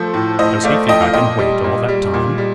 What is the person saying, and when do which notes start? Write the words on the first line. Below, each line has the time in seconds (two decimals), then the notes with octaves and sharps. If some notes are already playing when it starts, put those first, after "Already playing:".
"Does he think I can wait all that time?"
Already playing: F3 A3 A4 C5
0.14 A2
0.39 A2 C5 D#5
0.64 A3 D5 F5
0.89 F3 D#5 G5
1.02 F5
1.13 A#2 D#5 G5
1.39 G3
1.64 A#2
1.88 G3
2.14 A#2
2.38 G3